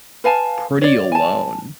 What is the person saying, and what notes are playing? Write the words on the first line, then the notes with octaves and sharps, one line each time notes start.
pretty alone.
B4 F5 G#5 A5
C#5 D5
G#5 A5